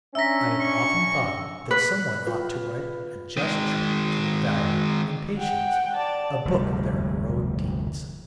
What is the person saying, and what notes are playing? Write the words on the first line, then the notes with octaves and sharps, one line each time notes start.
I have often thought that some one ought to write a just tribute to their valor and patience, a book of their heroic deeds.
C#4 D4 E5 A#5 E6 A#6 B6
C#6
B4
F4 B4
D#3 G#3
F#5 G5
D5 A5
F1 D2 G#2 G3